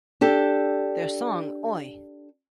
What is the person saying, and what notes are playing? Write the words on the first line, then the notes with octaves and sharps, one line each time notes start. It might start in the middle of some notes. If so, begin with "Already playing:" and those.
Their song Oi!
D4 G4 A4